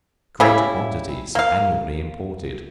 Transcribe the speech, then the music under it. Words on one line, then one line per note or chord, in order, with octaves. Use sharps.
Great quantities are annually imported.
C#3 G3 E4
A#3 F5